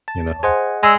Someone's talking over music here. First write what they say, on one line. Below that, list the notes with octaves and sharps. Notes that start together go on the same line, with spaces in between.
you know?
A5
G#4 C5 D#5 F#5 G#5
G#3 D5 D#5 E6